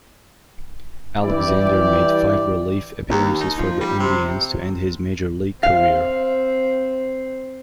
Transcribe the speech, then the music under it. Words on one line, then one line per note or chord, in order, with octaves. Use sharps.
Alexander made five relief appearances for the Indians to end his Major League career.
G2 E3 E4 G4 D5
D#2
D#4
F3
G3
C3
C4 F5